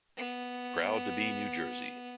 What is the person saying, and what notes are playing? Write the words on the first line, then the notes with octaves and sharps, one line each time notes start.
Proud to be New Jersey!
B3